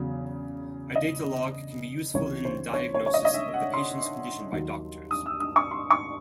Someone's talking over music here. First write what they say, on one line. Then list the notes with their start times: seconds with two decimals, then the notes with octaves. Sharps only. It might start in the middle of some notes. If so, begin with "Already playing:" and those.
A data log can be useful in diagnosis of the patient's condition by doctors.
Already playing: E2 C#3 F#3
0.96 D#5
2.14 C#2 C3 E3 C#5
2.45 C5
2.73 C#5
2.94 C#5
3.06 C#5
3.14 D#5
3.25 D#5
3.34 E5
3.54 F#5
3.74 C6
4.52 D#2 D#3 F#3
5.11 D#6
5.26 E6
5.40 D#6
5.56 C#6
5.71 C6
5.90 C#6